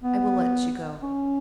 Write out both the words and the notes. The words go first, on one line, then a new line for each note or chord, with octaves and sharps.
"I will let you go."
B3
C#4